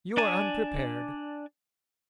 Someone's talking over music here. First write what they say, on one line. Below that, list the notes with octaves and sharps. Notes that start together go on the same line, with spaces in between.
You are unprepared.
D4 D5 G#5 A5